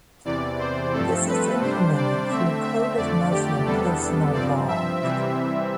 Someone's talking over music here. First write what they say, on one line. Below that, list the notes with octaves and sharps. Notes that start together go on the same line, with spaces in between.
This is implemented through Code of Muslim Personal Law.
E2 C3 E3 D5
C5
G2 F3 A3 C4 A4
B4
C3 G3 D4 C5
D5
D3 A3 C4 E5
E5
F2 D3 A3 D5
G4
E2 C3 G3 B3 D4 A4
G2 F3 C4 D5
E5
C3 E3 G3 C4 E5